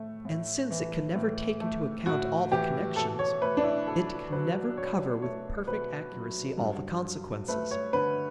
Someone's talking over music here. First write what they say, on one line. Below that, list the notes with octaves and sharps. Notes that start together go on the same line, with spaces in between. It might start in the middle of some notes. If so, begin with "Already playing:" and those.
And since it can never take into account all the connections, it can never cover with perfect accuracy all the consequences.
Already playing: A2 A3
A2
E3
A2
A3
A2 F#4
E3 G4
B2 A4
C#5
A3 B4
D4
E4
B2 A4
F#3 B4
B2 C#5
A3 C#5
B2 B4
F#3
G2
F#3
A3 B4
C#5
D3 B4